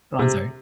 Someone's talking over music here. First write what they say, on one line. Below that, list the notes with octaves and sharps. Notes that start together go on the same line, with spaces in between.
Go on, sorry.
C3